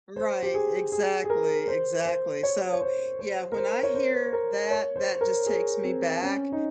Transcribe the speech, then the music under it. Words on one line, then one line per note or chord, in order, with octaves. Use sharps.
Right, exactly, exactly. So, yeah, when I hear that, that just takes me back
C5
G4
G#4
G#4
G#4
A#4
C5
C5
C#5
C#5
C5
C5
A#4
C5
C#5
C5
A#4
C#5
C5
A#4
G#4
C4
C#4
D#4